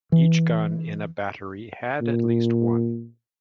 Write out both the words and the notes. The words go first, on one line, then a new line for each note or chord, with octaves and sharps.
Each gun in a battery had at least one.
E3
A#2